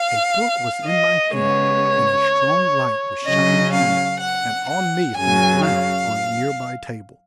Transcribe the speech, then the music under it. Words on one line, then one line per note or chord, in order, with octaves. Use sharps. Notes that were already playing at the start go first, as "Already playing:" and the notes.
A book was in my hand and a strong light was shining on it and on me from a lamp on a near-by table.
Already playing: F5
D#5
C#3 G#3 B3 C#5
C#3 F#3 C#4 D#5
F5
F#5
F#5
F#2 C#3 F#3 G#5
F5